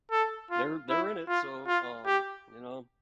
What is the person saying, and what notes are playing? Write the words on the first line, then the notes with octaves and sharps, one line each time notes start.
they're they're in it. So, um, you know?
A4
F4
E4
F4
F4
G4